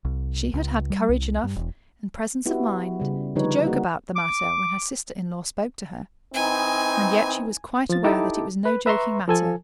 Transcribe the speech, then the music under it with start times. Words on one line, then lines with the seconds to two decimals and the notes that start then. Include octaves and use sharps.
She had had courage enough, and presence of mind, to joke about the matter when her sister-in-law spoke to her, and yet she was quite aware that it was no joking matter.
0.05 C2
0.54 C#2
0.90 G3
1.09 C2
1.43 G2
1.56 E1
2.46 B3 E4 F#4 G4
3.00 C#3 G3
3.36 D3 F3 G3 D#4 B4 C#5
3.66 A#3 F#4 G#4
4.16 D6
6.34 E3 C4 D#4 G#5
7.89 F3 A6
8.04 D#4 E4 G4 A4 A5 D6
8.65 B4
8.86 B4 E5 A#5 C6 C#6
9.28 F3 A4 G#5